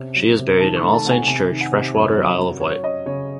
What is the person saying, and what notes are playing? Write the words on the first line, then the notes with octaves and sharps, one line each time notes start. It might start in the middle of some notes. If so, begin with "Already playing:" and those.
She is buried in All Saints' Church, Freshwater, Isle of Wight.
Already playing: C3 C#4
F#3
C3
D#3 A5
C#6
A3
A5
C3 F#5
G#5
C3 G#5
D#3
F#5
C3
F#2 C#5
F#3
F#3
C#4 C#5
C#4 D#5
C#3 C#5